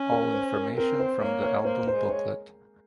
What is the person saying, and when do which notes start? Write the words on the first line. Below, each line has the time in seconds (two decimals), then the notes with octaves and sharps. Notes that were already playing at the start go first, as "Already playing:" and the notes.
All information from the album booklet.
Already playing: C#4
0.12 A#4
0.33 C5
0.56 A#4
0.77 C4 A#4
1.00 C5
1.21 A#3 C#5
1.43 C#5
1.65 A#3 C5
1.87 C5
1.94 G#3
2.09 C#5